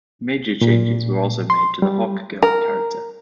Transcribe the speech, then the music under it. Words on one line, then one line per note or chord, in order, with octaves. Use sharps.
Major changes were also made to the Hawkgirl character.
A#2
C6
G3
A#4